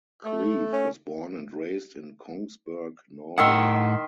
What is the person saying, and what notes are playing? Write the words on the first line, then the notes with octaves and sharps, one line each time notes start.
Cleve was born and raised in Kongsberg, Norway.
A3
C#4
A2 D#3 E5 F#5 C6